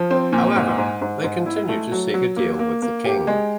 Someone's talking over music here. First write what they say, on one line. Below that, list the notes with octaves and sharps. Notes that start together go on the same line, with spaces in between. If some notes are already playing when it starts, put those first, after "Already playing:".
However, they continued to seek a deal with the king.
Already playing: F3
C4
A#2
G#2
G#2
G#2
G#2
E4
A3
F#3
F#3
A#3
A#3
A#3
G4
G#3